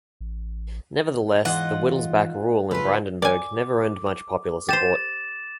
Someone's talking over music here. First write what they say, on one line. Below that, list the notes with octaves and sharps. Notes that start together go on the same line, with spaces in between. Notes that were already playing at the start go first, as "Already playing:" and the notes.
Nevertheless, the Wittelsbach rule in Brandenburg never earned much popular support.
A1
E2 G#2 F4 D#5 F#5
C#2 F4 A4 B4
D5 G#5 D6
G4 C5 A6 E7